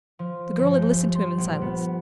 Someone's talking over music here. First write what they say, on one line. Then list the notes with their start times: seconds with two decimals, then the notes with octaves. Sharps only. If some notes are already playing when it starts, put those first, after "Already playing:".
The girl had listened to him in silence.
0.19 F3
0.59 G1
0.75 G6
1.15 C6
1.38 A#1
1.62 B3